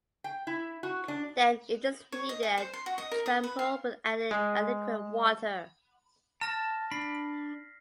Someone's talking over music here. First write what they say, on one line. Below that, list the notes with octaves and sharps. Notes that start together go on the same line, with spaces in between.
Then it is kneaded and trample with adding adequate water.
G5
E4
F#4
D4
C#5
D#5
G#4
C5
C6
F#4
D#5
A#4
D#6
B4
F5
G#3
A5 F6 A#6
D4 B5 B6 C7